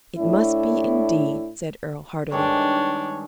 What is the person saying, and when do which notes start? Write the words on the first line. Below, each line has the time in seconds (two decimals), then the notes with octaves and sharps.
"It must be, indeed," said Earle, heartily.
0.18 A2 D4 E4
2.32 G2 D#3 G#3 D4 C#5